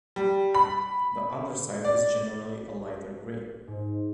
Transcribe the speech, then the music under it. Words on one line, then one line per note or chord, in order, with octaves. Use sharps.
The underside is generally a lighter gray.
G3
B5
D5
G#2